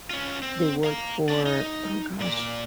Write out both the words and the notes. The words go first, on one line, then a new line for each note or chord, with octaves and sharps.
they work for oh gosh,
C#4 F4
C4
F5 A#5
C#4 D5
D#4
A#2 D5